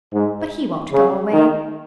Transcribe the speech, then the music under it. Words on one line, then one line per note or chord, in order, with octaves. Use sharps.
But he won't go away.
G#2
C#3
D#3